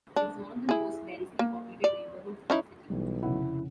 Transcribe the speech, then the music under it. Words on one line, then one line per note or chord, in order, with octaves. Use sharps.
It is one of the most densely populated neighbourhoods in the city.
D4
E4 G#4
A#3
D5
C#4 D#4 E4
B1 E3 F#3 G3
F1 C#3 E4 F#5